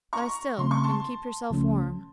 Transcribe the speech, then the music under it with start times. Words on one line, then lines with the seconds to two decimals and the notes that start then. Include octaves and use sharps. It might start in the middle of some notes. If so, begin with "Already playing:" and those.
Lie still, and keep yourself warm.'
0.13 A#5 C#6
0.58 C#3 A3 C4 C6
0.71 C#6
0.84 A5 C6
1.50 C#2 C#3 F3 A3 C#4